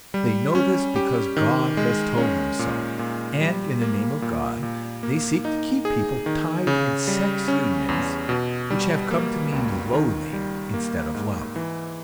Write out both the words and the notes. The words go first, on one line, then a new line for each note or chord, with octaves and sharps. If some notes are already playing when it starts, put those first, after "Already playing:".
They know this because God has told them so, and in the name of God they seek to keep people tied in sex unions which have come to mean loathing instead of love.
G3
C#4
G4
D#3
G#3
C#4
A#2
A#2
G3
A#3
A#2
A#2
A#3
D#4
G#4
D#3
C#3
G3
C#4
E2
B2
G3
A#3
C#2
D#3
G3
A#3
G#2
E3